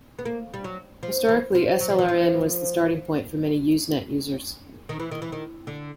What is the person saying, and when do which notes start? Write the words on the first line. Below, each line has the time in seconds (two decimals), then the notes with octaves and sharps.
Historically slrn was the starting point for many Usenet users.
0.19 B3
0.25 A#3
0.54 G3
0.64 F#3
1.03 F3
1.28 E3
1.55 F3
1.80 F#3
1.90 F3
1.99 E3
2.08 F3
4.89 D#3
5.00 E3
5.11 D#3
5.22 E3
5.32 D#3
5.67 D3